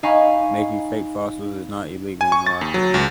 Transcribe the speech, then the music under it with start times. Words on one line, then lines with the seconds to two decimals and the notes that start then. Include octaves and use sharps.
Making fake fossils is not illegal in Morocco.
0.03 D#4 F5 G#5 B5 C#6
2.21 G#5
2.32 C#6
2.46 A6
2.61 D#2
2.74 F#3
2.94 C#2